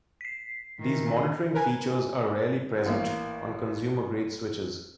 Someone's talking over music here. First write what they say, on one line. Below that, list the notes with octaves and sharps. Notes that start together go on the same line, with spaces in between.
These monitoring features are rarely present on consumer-grade switches.
B6 C7
D#3 E3 A#4
A#4 B4 G#5
A1 A#3